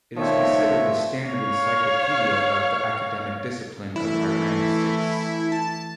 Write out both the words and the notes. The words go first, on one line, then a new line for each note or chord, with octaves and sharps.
It is considered the standard encyclopaedia of the academic discipline of Iranistics.
D#3 F3 A3 C4 D4 C#5 E5
C#5 F5
E3 A3 E4
A5